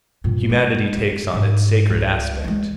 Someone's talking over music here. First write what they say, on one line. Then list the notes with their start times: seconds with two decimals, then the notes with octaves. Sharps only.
Humanity takes on its sacred aspect.
0.24 G2 A#2
0.50 G#3
0.97 F#2
1.34 G#2
1.89 C#2
2.44 E3 G#3